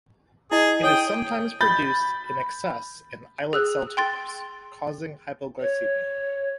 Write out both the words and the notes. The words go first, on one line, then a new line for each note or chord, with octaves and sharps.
It is sometimes produced in excess in islet cell tumors, causing hypoglycemia.
E4 G#4 D#5
C#5 G5 D#6
B5 G6 A6
G#4 E6 F#6
G5 C6 A6
C#5